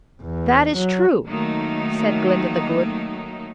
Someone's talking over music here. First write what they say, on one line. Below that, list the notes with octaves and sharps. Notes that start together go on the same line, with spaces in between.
"That is true," said Glinda the Good.
E2
F#3
D#3 F#3 A3 A#3 D#4